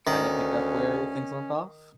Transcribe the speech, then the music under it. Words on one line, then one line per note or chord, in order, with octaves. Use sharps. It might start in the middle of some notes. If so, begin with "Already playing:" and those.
kinda picked up where things left off?
D2 D#3 C#4